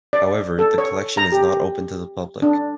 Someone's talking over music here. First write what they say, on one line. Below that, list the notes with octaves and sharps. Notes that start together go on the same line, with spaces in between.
However, the collection is not open to the public.
D5
A4
C#5
A#5
G4
D4